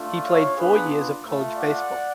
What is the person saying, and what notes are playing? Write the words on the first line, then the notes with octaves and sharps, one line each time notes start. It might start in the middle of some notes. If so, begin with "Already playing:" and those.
He played four years of college baseball.
Already playing: A3 D4 F4
C#5 F5
B3 D4 F4 G#4 B4
A3 F4
D5 F#5